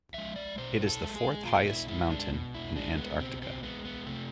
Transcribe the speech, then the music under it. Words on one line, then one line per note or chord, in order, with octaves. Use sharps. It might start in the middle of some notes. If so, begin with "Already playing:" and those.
It is the fourth highest mountain in Antarctica.
F3 G#3 E5
D5
B2 C5
A4
G#3
G#4
B2 F4
E4
G#3 E4
D4
B2
E4
G#3 D4
B3
B2 C4
C4
G#3 B3
B3
C3 A3